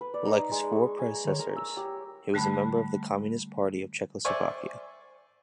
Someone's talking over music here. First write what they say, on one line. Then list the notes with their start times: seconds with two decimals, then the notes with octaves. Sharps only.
Like his four predecessors, he was a member of the Communist Party of Czechoslovakia.
0.01 B4
0.14 D5
0.27 D#4
0.52 G#3
0.72 C#6
0.99 G#5
1.14 A#5
1.28 C#5
1.39 A#4
1.56 E6
1.77 G4
2.34 D3 G3 A3 A5 B5
4.25 C5 D5 E5 G#5 C#6